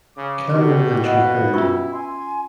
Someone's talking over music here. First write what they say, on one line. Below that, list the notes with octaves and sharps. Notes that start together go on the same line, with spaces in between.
Cameron and Joe Herndon.
C#3 D6
B2 G4
B4 D#5 F5 F#5
C#4 E4 F4 E5 C#6
G#5 C6